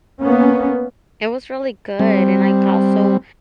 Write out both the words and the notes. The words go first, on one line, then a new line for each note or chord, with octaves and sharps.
it was really good and I also,
A#3 B3 C#4
G3 C4